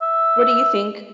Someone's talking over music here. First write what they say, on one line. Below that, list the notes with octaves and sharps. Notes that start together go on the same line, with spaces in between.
What do you think?
E5